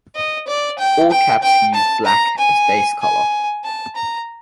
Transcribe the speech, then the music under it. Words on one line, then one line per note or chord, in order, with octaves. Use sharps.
All caps use black as base colour.
D#5
D5
G5
G5
G5
A5
A#5
G#5
G#5
A5
A#5